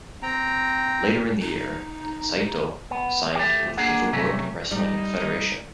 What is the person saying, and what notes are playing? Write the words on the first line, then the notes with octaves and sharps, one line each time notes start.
Later in the year, Saito signed with the World Wrestling Federation.
C4 G5 A#5
D#4
B3
A3 G4
A#3 D4 G#4 F#5
C3 F#3 A3 C#4
G3 D#4